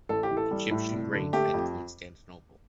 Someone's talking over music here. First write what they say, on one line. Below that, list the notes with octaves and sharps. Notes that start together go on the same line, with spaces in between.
Egyptian grain fed Constantinople.
A1 A4
G4
E3
A4
G3
A2
F1
D3
A3 G4
F2